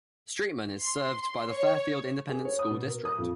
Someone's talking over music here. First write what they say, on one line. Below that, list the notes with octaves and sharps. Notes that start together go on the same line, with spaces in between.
Streetman is served by the Fairfield Independent School District.
C6
C#5
G#4
C#5
D#6
B2
A#4
D#6
F2